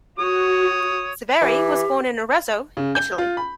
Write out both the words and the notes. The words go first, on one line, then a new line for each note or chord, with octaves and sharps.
Severi was born in Arezzo, Italy.
F#4 C#5 D#6
E3 G4
C#3
G6
F4
B5